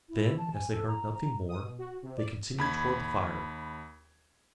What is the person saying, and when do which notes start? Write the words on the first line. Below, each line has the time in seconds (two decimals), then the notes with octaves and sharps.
Then, as they heard nothing more, they continued toward the fire.
0.09 E4
0.38 A5
0.54 G#5
0.72 A4
0.88 A#5
1.13 A#5
1.49 D#6
1.62 B2
1.78 F#4
2.02 C3
2.17 D5
2.58 D#2 B5 G#6